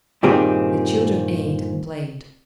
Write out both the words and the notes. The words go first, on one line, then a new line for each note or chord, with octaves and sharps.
The children ate and played.
G2 A#2 D#3 C4 G4 G#4